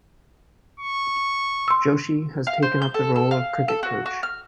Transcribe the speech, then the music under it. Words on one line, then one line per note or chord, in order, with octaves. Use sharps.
Joshi has taken up the role of cricket coach.
C#6
C6 E6
F5
C5
G6
A4
A4
F5
A4
F#4
F#4
F6